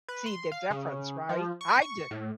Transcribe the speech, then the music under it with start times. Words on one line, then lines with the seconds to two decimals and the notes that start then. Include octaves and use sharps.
see the difference, right? I didn't.
0.08 B4
0.26 C6
0.52 F5
0.71 C#3
1.29 F3
1.61 C#6
1.82 C#6
2.11 A2